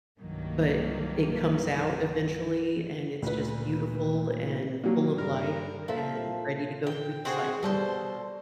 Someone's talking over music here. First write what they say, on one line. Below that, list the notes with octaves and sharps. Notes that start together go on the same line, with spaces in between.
but it comes out eventually, and it's just beautiful, and full of life, and ready to go through the cycle.
C2 G2 D#3 F#3 A#3
D2 A#2 B4
A#2 F#3 A#3
G2 A#4
A#2 F3 A4 E5
G5
C4 F#4 G#4
B2 G3 A4 C5